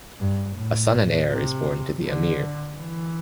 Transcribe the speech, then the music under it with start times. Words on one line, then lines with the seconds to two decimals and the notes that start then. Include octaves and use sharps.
A son and heir is born to the "amir".
0.19 G2
0.55 A2
1.29 C3
2.04 D3
2.77 E3